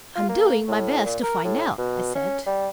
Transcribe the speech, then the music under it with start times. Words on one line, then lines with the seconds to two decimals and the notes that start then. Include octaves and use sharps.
"I'm doing my best to find out," I said.
0.15 F4
0.29 A#3
0.68 A2
1.05 A#2
1.23 A#4
1.45 A2
1.78 B2
2.15 C#4
2.46 G3